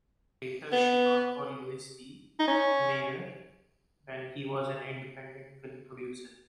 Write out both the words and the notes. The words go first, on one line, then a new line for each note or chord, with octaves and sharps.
Later she worked for Louis B. Mayer when he was an independent film producer.
B3
D#4
C#4